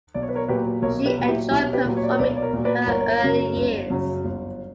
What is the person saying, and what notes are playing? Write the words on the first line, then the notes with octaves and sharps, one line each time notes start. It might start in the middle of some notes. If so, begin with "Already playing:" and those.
She enjoyed performing in her early years.
B1 D5
C#5
B4
A#4 C#5
A#2 F#3 G4 B4
B1 A#4 C#5
G4 B4
A#2 F#3
E4 G4
B1 E4 G4
G4 B4
A#2 F#3
C#5
D5
A#4 C#5
B1 B4 D5
D5
A#4 C#5
A#2 F#3
B4 D5
G1 A#4 C#5
F#2 C#3 F#3
G1
F#2 C#3 F#3
G1